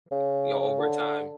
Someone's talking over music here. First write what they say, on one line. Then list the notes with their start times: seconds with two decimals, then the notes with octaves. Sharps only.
Right, yeah, over time.
0.12 C#3
0.80 D3